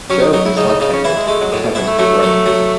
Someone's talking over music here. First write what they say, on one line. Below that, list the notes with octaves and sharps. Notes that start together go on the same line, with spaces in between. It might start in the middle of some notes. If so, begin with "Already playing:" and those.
Joe is left-handed and Kevin is right-handed.
F#3 C#4
D#4
F#3 D#4
E4
C#3 D#4
D#4
C#3 D#4
C#4
E3 E4
G#3
G#3 A3
F#3
A2 F#3
B2
B2 E4
A3
F#3 A3
F#3
F#3